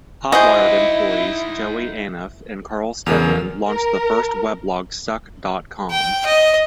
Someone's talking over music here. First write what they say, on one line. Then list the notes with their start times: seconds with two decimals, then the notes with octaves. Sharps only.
Hotwired employees Joey Anuff and Carl Steadman launched the first weblog Suck dot com.
0.32 D#4 E4 F#4 G#4 C5 D#5 F#5
3.06 E2 C#3 A#4 F6 F7
3.68 A#4
5.91 G5
6.26 D#5